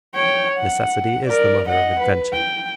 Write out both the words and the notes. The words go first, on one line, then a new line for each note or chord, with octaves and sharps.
Necessity is the mother of invention.
C#5 G5
F#5
A#4 D5
D#5 F#5
B4
G5